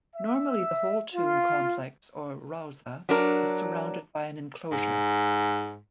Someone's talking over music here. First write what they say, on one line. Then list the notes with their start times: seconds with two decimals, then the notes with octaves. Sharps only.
Normally the whole tomb complex or "rauza" is surrounded by an enclosure.
0.15 E5
1.14 F4
3.09 F#3 D4 A#4
4.72 G#2